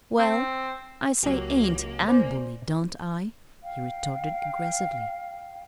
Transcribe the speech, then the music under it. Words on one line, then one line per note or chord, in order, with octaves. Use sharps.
"Well, I say 'ain't' an' 'bully'; don't I?" he retorted aggressively.
C4
C#2 F#3 A#3 G4
C5 D5 G#5
F5 G5